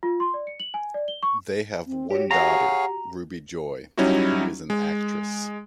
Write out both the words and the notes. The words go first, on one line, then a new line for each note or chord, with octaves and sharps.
They have one daughter, Ruby Joy, who is an actress.
F4
C6
D5
C#7
F#7
G#5
D5
G7
C#6
C4
F#4 G4 C#5
G#4 C#5 F5 F#5 A#5
F#3 G3 C#4 D#4 E4 F#4
G#3